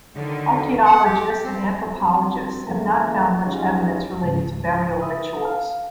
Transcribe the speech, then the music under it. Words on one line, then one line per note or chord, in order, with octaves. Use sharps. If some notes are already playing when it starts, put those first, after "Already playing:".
Archeologists and anthropologists have not found much evidence related to burial rituals.
D3 D#3 F#3
F#5
G4
C4
G2 F#3 C4
C#3 E3 A3 A#3
G#3 C#4 D#4 F4 G4
C#2 G#2 C#3
B4 E5 D#6
F5